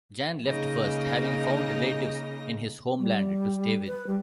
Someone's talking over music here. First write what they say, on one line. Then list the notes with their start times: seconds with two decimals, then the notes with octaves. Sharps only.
Jan left first, having found relatives in his homeland to stay with.
0.44 C#3 A#3 D#4 D#5 A#6
2.99 G3
3.87 B4
4.07 G3